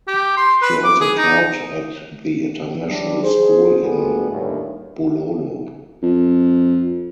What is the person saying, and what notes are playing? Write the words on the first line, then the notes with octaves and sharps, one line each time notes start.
She also taught at the international school in Bulolo.
G4
C6
B4
D6
G#4
D#4
F#3 G3 D4
G#4 C5
G1 D2 G3 B3 G#4 A4
G1 D#2 A2
F2